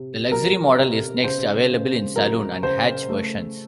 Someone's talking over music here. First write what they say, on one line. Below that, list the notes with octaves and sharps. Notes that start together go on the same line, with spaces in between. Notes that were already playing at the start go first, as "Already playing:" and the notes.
The Luxury model is next available in saloon and hatch versions.
Already playing: C3
F#3 A#4
C3
C#3 C5
C#3
F#3 A#4
C#3 C5
A3